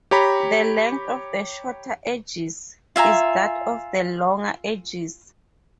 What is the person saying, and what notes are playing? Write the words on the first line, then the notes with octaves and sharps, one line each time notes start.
The length of the shorter edges is that of the longer edges.
G4 C#5 A#5 B5
F4 E5 G#5 A#5